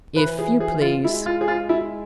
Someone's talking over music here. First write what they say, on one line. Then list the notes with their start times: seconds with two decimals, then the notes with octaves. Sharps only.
"If you please."
0.16 E3 B4
0.39 G#4
0.60 G#4
0.82 F4
1.04 G#3 E4
1.26 F4
1.41 G#4
1.48 F4
1.69 E4